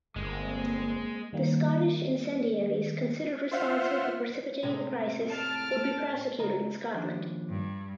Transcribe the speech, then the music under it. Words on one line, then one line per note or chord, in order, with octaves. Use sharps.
The Scottish "incendiaries" considered responsible for precipitating the crisis would be prosecuted in Scotland.
G1 G#3 A#3 C4
D#3 G3 A#3
F4 C5 E5 F#5 C6 F6
A2 C3 G#3
A5 F6 D7
C#3 D#5 A#5
D#2 F3 D4
G2